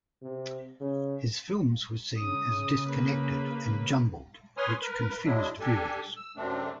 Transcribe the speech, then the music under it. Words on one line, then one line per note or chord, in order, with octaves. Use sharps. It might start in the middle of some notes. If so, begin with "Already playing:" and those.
His films were seen as disconnected and jumbled which confused viewers.
C3
C#3
C#3 D#6
A#3 B4
B4 C#5 G#5 C6 D#6 F6
A#4 B4
F#3 G#3 D4 E4
D4 G4 A4 G#5
E6
F#2 C3 A3 C4 D4